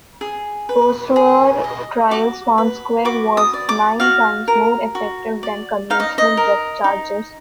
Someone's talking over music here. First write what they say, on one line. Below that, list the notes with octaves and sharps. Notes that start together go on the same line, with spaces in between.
Postwar trials found Squid was nine times more effective than conventional depth charges.
G#4
B4
G#4
D#5
F#4 D6
B4
F#4 D6
D#6
D5
D6
F#4 F5
A#4
F#4
D5
D#4 F5
D#5
D#5
A#4
D#4